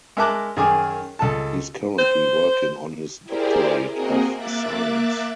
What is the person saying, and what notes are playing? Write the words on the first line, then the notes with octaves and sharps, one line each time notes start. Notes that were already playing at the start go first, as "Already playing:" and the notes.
He is currently working on his Doctorate of Science.
G#3 A#4 E5 A5 D6 F#6
F#2 D#3 G#4 G#5 D6
C#2 A4 A5
C5
E4 G4 G#4 A#4 C5 D5
A#3 C4 F#4 G#4 A#4 D#5
A#3 E5 D6 F#6 A6